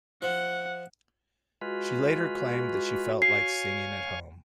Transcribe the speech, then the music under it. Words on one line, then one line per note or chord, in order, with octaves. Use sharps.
She later claimed that she felt like singing at home.
F3 F#5
G#3 F4 F#4 B4
C#5 F5 G#5 C7